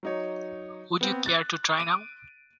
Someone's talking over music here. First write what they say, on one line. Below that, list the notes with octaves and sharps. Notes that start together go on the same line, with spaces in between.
Would you care to try now?
F#3 D#4 C#5
B3 C4
F#6 A6
D7 D#7